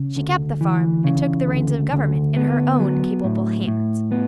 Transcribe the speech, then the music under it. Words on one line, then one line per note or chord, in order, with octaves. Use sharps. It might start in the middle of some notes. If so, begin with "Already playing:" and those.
She kept the farm and took the reins of government in her own capable hands.
Already playing: C#3
D2
E3
C#3
D2
D2
B3
F#3
A2
A2
B3